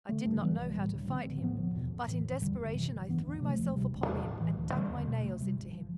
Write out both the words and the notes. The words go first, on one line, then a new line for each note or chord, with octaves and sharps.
I did not know how to fight him, but in desperation I threw myself upon him, and dug my nails into him.
D3 A3
G2
E3 G3 B3
B1
A2 G3
D2
D3 A3 C4
A1
A2 F3 B3
E1
E2 B2
A1
A2 E3
F1
E2 D3 G3
G1
F2 C3 E3
G1
G2 E3 B3
D2
C3 F3 A3
E1
D2 C3 G3
E1
E2 C3
A1
A2 E3
D2
D3 G3 C4
E2
B2 A3
D2
C3 G3
G1
F3